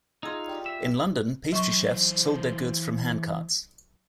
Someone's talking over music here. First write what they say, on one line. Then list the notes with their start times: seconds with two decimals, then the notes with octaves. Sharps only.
In London, pastry chefs sold their goods from handcarts.
0.23 D#4 F4 G#4 E6
0.48 G3 D#6
0.66 E5
1.53 E3 F#3 C5 C#6